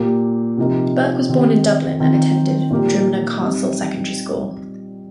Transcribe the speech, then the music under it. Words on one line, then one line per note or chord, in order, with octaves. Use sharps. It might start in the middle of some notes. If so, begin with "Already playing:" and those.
Burke was born in Dublin and attended Drimnagh Castle Secondary School.
Already playing: A#2 A#3 G4 A#4
C3 F3 D#4 A#4
D#3 C4 G4
D#3 C4 F4 A#4
A#2 F3 D#4 G4 A#4
G3 C4 D#4